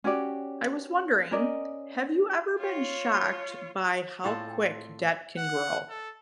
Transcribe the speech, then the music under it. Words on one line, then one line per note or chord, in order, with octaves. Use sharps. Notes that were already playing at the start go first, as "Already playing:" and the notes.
I was wondering, have you ever been shocked by how quick debt can grow?
C#4 F#4 G4 D5
C#4 A#4 D5 D#5
F4 C#5
A2 C4 F4 A4
F#5
A4